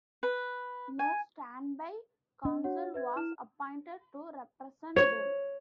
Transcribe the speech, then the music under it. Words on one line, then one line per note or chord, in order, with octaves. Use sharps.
No standby counsel was appointed to represent them.
B4
G#5
D4 D#5
F#4 C#5 F#5
B4 E5 G#6
E4 F6 E7
C#5